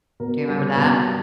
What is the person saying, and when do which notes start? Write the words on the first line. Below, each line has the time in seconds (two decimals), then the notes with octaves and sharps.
do you remember that?
0.20 B2 A#4
0.47 G3
0.76 B2
1.05 G3